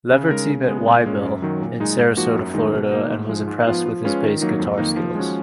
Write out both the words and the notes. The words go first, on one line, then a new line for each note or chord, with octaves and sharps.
Leverty met Waibel in Sarasota, Florida and was impressed with his bass guitar skills.
C#3
G#3 D#4 A#4
C#3
G#3 B3
A#2
G#3 C#4
F#2
D#3 F#3
A#2
G#3 D#4
G#2
F3 A#3 D#4 F#4
F#2
D#3 G#3 D#4
B2
A#3 D#4
G#2
F3 G#3
G#2
F3 B3 F4
F3
G#3 C#4 F4 B4
D#3
F#3 A#3 D#4
F2
D#3 A#3 D#4
F3
G#3 C#4 F#4